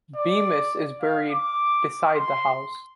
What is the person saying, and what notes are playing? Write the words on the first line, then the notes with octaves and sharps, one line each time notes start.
Bemis is buried beside the house.
D5
F5
D6
C6